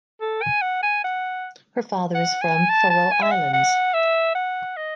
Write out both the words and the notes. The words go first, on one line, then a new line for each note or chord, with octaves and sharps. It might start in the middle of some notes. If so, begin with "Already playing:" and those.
Her father is from Faroe Islands.
A4
G#5
F#5
G#5
F#5
F#5
G#5
A5
A5
G#5
E5
F#5
F#5
E5
F#5
D#5